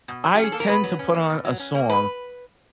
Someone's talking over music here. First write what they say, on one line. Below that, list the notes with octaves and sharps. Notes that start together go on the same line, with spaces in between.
I tend to put on a song
B2
F#3
G4
C#4
G#4
A#3 A4
A#4
B2 B4
F#3
C#4
A#3
B2
F#3
C#4
A#3
B2 B4